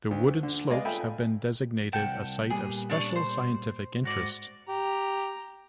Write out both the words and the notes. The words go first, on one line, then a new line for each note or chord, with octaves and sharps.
The wooded slopes have been designated a Site of Special Scientific Interest.
D2
D3
G#3 B3 G#4 D5 D#5 F5
F4 A4 E5 G5 G#5 B5
C2 F#5 G5 A5
A#2 G3 B3 G#4
D4 C#5 D5
C5
G#2 F#4 D5
G4 A#5